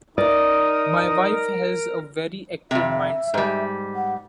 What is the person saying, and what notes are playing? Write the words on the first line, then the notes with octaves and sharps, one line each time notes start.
My wife has a very active mind, sir.
D#4 A#4 D5 D#6
F2 C3 E5
G#2 G3
F#5